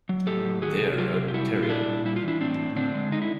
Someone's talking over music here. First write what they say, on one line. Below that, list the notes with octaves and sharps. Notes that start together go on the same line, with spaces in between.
They're a Terrier.
F#3
A2 G4 A4
F#3
D#3 F#4 G#4
C3
F#4
F#3 F4 G4
C3
G4
G3 E4 F#4
A#2 F#4
F4
G3 D4 E4
A#2
G3 E4
F4
E3 D4 E4
A2 C4 D4
A2
D3 C4 D4
G#3
D3 D#4
E4